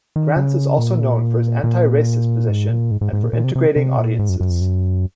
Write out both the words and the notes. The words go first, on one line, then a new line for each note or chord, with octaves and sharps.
Granz is also known for his anti-racist position and for integrating audiences.
D#3
C#3
A#2
A#2
G#2
A#2
G#2
G#2
G#2
A#2
A#2
C3
C3
C3
A#2
G#2
F#2
F#2
F2
F#2